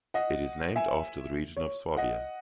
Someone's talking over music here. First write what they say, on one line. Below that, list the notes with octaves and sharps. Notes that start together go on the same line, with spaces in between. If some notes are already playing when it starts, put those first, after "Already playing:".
It is named after the region of Swabia.
D#5 F#5
E5 G#5
C#5
D#5 F#5